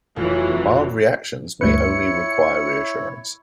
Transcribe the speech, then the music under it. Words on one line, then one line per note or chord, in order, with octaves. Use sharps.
Mild reactions may only require reassurance.
F1 E3 F#3 F4
D2 G2 E4 B4 C#5 C#7